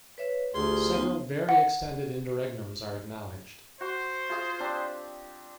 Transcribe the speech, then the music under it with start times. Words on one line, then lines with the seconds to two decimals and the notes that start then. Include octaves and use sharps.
Several very extended interregnums are acknowledged.
0.18 B4 C#5 E5
0.54 D2 F4 G4 G#4 C6
0.93 B3 D#4 F4
1.49 F#5
3.81 F#4 C5
4.29 F4 G#4 F5
4.59 C4 D4 G4